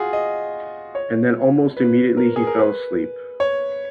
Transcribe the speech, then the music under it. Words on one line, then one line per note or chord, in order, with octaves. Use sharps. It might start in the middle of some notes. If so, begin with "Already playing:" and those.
And then almost immediately he fell asleep.
Already playing: F4 F#4 G#4
D#5
C#5
B4
A#4
G#4
A#4
B4
C#5